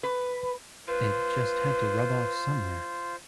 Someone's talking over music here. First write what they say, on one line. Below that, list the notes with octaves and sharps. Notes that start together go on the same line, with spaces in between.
It just had to rub off somewhere.
B4
F4 B4 C5